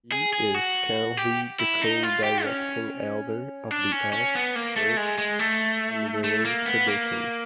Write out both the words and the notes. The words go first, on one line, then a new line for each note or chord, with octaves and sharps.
He is currently the co-directing elder of the Ash, Birch and Willow tradition.
G#4
G#4
F#4
G4
E4
D#4
F4
G4
C#4
D4
C#4
C#4
B3
A#3
A3
G#3
G#3
A3
A3
A#3
B3
A#3